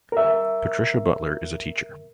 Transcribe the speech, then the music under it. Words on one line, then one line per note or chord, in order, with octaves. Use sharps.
Patricia Butler is a teacher.
A#4 E5